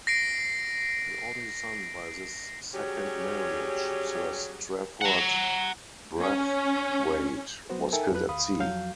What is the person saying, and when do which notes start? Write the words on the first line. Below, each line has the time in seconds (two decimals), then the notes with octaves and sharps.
His only son by this second marriage, Sir Strafford Brathwait, was killed at sea.
0.07 A#6 C7 D7
2.73 F#3 G3 C#4 G4 G#4
5.01 F#5 A#5
6.21 C#4
7.70 F#3 B3 F#4 C5
7.92 D#4 A4 A#4 E5 G5 G#5
8.12 F2 F3 F#3 B4 F#6
8.29 D2 F5 B5 D#6
8.59 F2 F3 F#3 F#4 F5 G6